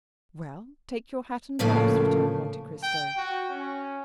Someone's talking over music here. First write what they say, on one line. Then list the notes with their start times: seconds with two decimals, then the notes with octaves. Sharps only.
"Well, take your hat and gloves," returned Monte Cristo.
1.59 A2 C#3 F3 A3 A#3
2.83 G5
3.17 F#4
3.50 C#4